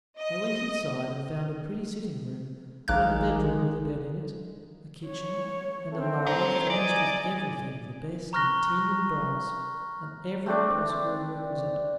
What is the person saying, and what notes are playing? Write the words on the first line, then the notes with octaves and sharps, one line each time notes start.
They went inside and found a pretty sitting-room, and a bedroom with a bed in it, a kitchen, and a larder furnished with everything of the best in tin and brass, and every possible requisite.
D#5
A#1 D#3 G#3 F5 A#5 D6 F#6
C#5
A3 C4
C5 C#5 A#5
E2 D5 D#5 G#5
A#5 C#6 F6 F#6 A#6 G7
A3 C4 D4 D5